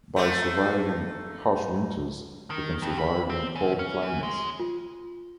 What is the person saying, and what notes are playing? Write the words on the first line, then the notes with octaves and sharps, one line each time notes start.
By surviving harsh winters, they can survive in cold climates.
A3 A#3 C5
D#3
F2
B5
C4
C#3
C#4
E3
G#3
F4